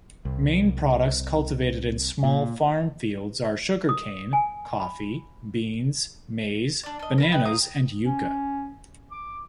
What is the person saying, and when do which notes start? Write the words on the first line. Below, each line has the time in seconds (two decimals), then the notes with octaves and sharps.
Main products cultivated in small farmfields are sugarcane, coffee, beans, maize, bananas and yuca.
0.25 C2
2.24 A#2
3.89 D#6
4.33 G#5
4.80 B5
6.83 D4 D5
6.99 D4 D#5
7.18 A#4 A5 B5
7.32 D#4 G4 B4
7.45 F5 A#5 D#6
8.04 C#4
9.11 D6